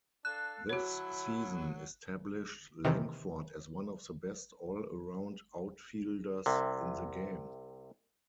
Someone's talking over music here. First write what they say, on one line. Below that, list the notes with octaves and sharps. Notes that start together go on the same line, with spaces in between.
This season established Lankford as one of the best all-around outfielders in the game.
D4 A4 F5 A5 F#6
F#3 E4 F#4 C#5 A5 B5
C3 D#3 E3
C2 C3